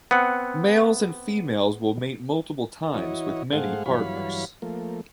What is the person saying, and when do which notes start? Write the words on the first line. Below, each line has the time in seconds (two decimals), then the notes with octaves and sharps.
Males and females will mate multiple times with many partners.
0.11 B3 C4 F#5
2.94 E3 E4 F#4 C#5 D#5
3.53 G#2 A3 G#4 C5 F5 F#5
3.86 G2 E3 F#3 C#5 F5 B5
4.62 F3 A3 A#3